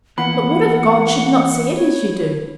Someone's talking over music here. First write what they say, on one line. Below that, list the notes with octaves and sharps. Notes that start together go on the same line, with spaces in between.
"But what if God should not see it as you do?"
E3 A#3 B3 F#5 B5
C#5